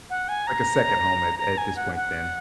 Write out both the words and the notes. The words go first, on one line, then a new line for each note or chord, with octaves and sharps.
Like a second home at at this point then.
F#5
G#5
A#5
A#5
G#5
F#5
F#5